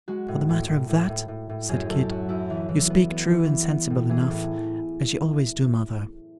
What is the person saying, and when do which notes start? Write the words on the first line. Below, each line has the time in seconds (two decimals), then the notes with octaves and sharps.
'For the matter of that,' said Kit, 'you speak true and sensible enough, as you always do, mother.
0.08 G#3 F#4
0.28 A2
0.49 A2
0.68 A2
0.89 A2
1.09 A2
1.28 A2
1.49 A2
1.69 F#2 G#4
1.89 F#2 A4
2.09 F#2 F#4
2.29 F#2 E4
2.50 E3
2.69 E3
2.90 B3
3.10 B3
3.30 E3
3.49 B3
3.69 B3
3.90 A2
4.09 E3 G#4
4.30 A2